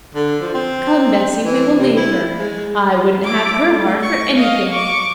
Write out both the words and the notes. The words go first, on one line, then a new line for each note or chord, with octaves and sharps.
Come, Bessie, we will leave her: I wouldn't have her heart for anything.
D3
F3
C4
E3
C3
E4
G#3
E4 D6
A3
C#6
D#5 F5
C#6 D6